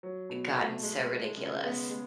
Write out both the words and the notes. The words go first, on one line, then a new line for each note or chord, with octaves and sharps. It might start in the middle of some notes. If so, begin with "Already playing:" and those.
I gotten so ridiculous.
F#3
B2
A3
G#3
G#3
C#3
G#3 B3
G#3